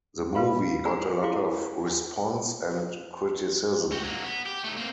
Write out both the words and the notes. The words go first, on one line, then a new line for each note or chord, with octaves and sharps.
The movie got a lot of response and criticism.
G4 A4 B4 F5 B5 C6
F4 F#4 D5 F#5 G#5 A#5
E4 G4 G#4 F5 C6 D6
F#4 G4
F#3 A#3
B3
G4
A3 D#4
A#3 C4